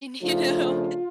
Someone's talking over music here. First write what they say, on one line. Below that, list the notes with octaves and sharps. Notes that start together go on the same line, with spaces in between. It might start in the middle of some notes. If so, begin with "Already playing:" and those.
y you know
C#3 F3 A3 D4 F4